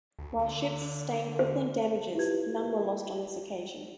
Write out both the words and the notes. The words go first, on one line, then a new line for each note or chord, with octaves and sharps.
While ships sustained crippling damages, none were lost on this occasion.
D2
D3
C5
E4 F4 G4 B4 G#6